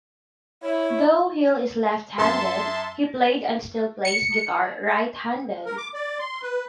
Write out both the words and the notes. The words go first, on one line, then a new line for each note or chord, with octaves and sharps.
Though Hill is left-handed, he played and still plays guitar right-handed.
E4 C#5
F#2 E5 A5 C6
C#7
A#4
D6
D5
C6
B4